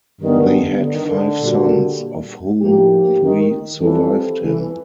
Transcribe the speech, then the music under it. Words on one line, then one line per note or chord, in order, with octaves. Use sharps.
They had five sons, of whom three survived him.
G2 D3 D#3 G3 B3 D4
D3
D#3
D3
A#2 G3 A#3 D4 F#4
A2 F3 A#3 D#4 G4
D#3
E3 G3 C4 F4 A4
E3